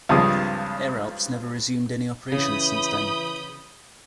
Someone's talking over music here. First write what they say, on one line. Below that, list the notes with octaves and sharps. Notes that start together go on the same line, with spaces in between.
Air Alps never resumed any operations since then.
C#2 G2 F3 C4 G#4 D#6
C#3 E3 B5 D#6 G6